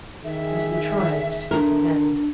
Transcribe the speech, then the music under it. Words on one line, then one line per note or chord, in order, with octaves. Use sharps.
And to be tried was to be condemned.
D#3 G#4 E5
D4 A#4